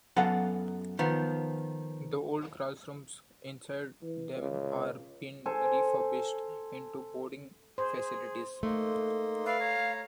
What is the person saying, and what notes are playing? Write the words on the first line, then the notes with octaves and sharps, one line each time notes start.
The old classrooms inside them are being refurbished into boarding facilities.
F#2 F#3 B3 A4 F5 F#5
D#3 F3 B3
E3
C#2
A4 C5 G#5
G#4 C5
A3 A#3 D#4 C6
B4 D5 E5 F5
C#5 A#5